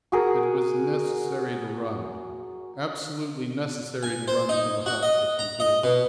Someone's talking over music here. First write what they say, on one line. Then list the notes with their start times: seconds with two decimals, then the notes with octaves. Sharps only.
It was necessary to run, absolutely necessary to run to the hut for some tools.
0.12 F#4 G#4 A#4
4.03 G#5
4.28 C5
4.49 D#4
4.86 F#4
5.03 D#5
5.39 A#5
5.60 D#5
5.84 B2